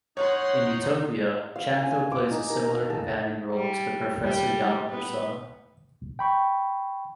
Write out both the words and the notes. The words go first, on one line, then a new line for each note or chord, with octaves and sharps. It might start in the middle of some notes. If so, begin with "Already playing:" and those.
In "Utopia", Chantho plays a similar companion role to the Professor Yana persona.
D#4 C#5 F#5 C6
F5
G#5
D6
D#4
A#4
A#5
A4
G3
G3
B3
G5 B5 C#6